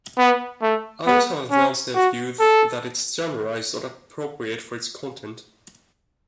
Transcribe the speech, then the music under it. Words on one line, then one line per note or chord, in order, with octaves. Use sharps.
Others have advanced the view that its genre is not appropriate for its content.
B3
A3
B3
C#4
F#4
A4